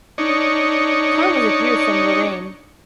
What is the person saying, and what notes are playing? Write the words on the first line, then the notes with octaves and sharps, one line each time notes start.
Kahn was a Jew from Lorraine.
D4 D#4 C#5